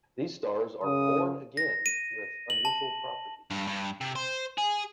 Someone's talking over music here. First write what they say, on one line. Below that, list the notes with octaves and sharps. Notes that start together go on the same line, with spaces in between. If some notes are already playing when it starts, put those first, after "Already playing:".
These stars are "born again" with unusual properties.
F#2 C#3 D#6
A#6
D#7
F#7
A5
G2
G2
C3
C5
G#4